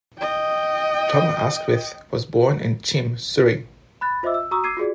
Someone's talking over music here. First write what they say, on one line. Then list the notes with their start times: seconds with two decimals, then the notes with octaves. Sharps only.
Tom Askwith was born in Cheam, Surrey.
0.18 D#5 G5
4.01 B5 F#6 A6
4.23 F4 C5 D#5 E5 D6 E6
4.34 E6
4.51 F#4 A#5 C#6 D#6 E6
4.64 D6 E6 G#6 C7 D#7
4.77 F4 F#4 G#4 D5